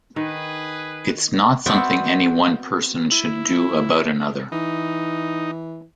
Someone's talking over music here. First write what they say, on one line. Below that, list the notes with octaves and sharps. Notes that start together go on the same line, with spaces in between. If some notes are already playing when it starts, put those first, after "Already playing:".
It's not something any one person should do about another.
D#3 G#4 B4
B3 C4 F#4 D5 E5 F#5
E4
E3 D#4